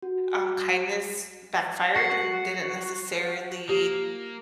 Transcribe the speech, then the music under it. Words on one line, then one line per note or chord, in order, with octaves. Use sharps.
um, kindness backfired and didn't necessarily
F#4
F#4 F#5 C7
A#3 G4